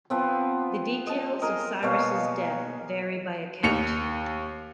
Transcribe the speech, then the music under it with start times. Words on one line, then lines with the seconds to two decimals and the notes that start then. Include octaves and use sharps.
The details of Cyrus's death vary by account.
0.10 F3 B3 C4
1.07 D#5 A5
1.42 G#4 A#4 D#5
1.83 B2 A#3 C#5 F5
3.63 D#2 C#7 F7